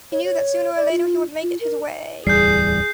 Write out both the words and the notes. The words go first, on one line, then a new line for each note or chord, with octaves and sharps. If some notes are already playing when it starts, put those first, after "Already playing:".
He knew that sooner or later he would make it his way.
C#5
C#5
D5
F4
F4
A#4
D1 E2 G3 G#4 G6 C7